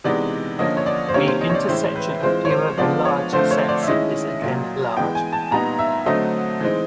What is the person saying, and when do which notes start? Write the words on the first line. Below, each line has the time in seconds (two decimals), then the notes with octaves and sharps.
The intersection of fewer than large sets is again large.
0.04 C3 E3 G#3 B3 D#4 D5
0.59 D3 F3 A#3 C#4 D#5
0.77 C#5
0.86 D5
1.09 C5
1.14 C3 D#3 G3 A#3 C#4 C#5
1.27 C5
1.41 D#5
1.50 C#5
1.54 D5
1.69 A2 E3 G#3 C#4 E4 C5
1.96 B4
2.23 E3 G#3 C4 F4 C5
2.45 C#5
2.50 C5
2.78 F3 G#3 B3 D4 F4 D5
3.05 C#5
3.33 D3 F3 A3 C4 F4 C5
3.51 C#5
3.69 D5
3.83 E5
3.87 D#3 G#3 C#4 E4 D#5
4.42 A#2 F#3 A#3
4.97 E3 G#3 B3 G5
5.15 G#5
5.33 A5
5.51 A#2 G3 B3 D#4 A#5
5.79 E5
6.06 D3 F#3 A3 C4 D#5
6.60 E3 G#3 C4 D#4